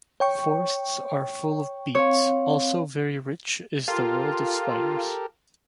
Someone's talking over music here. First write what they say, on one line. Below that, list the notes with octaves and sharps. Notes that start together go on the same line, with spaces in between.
Forests are full of beets, also very rich is the world of spiders.
C#5 G5 C#6
C4 C#5 F5
F4 G4 A4 A#4